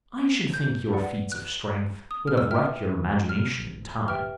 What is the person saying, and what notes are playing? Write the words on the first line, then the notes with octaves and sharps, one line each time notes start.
"I should think your feats of strength would have wrecked your imagination in time."
G6
B4 D5 F#5
F#6
D#6
F6
E6
B4 E5 G5 F6
F6
G4 B4 E5 G5 F6